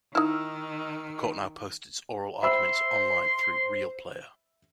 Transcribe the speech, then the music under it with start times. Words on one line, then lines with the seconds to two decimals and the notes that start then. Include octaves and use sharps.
The court now posts its oral arguments online through RealPlayer.
0.15 D#3 D#4 E4 D#5 E6 F6
2.43 C5 E5 B5 C6 E6